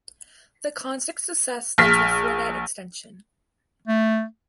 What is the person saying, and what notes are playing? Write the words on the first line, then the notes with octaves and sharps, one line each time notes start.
The concert's success led to a four-night extension.
A#1 F6 B6
A3